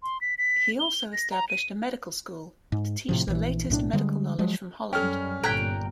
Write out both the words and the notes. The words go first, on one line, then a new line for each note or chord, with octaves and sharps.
He also established a medical school to teach the latest medical knowledge from Holland.
C6
B6
B6
G7
A#6
A#5
D#7
G#2
A2 C3 F3
A#1 E3
B1 A2 D4
D3 G3 G#3
F3 F#3 G#3
F#2 G3 C#4 A4 G5 F6
G1 A#2 A4 G5 A#5 F#6 G#6 B6